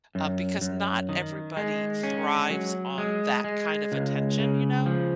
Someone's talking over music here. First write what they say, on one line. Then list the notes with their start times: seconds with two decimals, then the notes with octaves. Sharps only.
um, because not everybody thrives on that kind of attention, you know?
0.15 F#2
0.61 F#2
1.09 D#3
1.57 G#3
2.03 C#4
2.50 F#3
2.98 G#3
3.44 G#3
3.92 C#2
4.39 C#3
4.86 F3